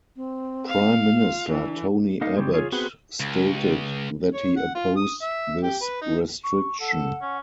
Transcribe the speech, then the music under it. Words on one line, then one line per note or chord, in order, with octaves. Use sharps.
Prime Minister Tony Abbott stated that he opposed this restriction.
C4
F5
F4
E3 D4
A#3 D#4 A4 D#5 F5
C#3 G3 G#3 C4 G4
F4 G#4 C#5
B3 C4 F#4 G#4 B4 C5
C#2
C#5
F#5
F4
D#6
E5
G4
B4
D#4
C#6
A4 F#5
C#4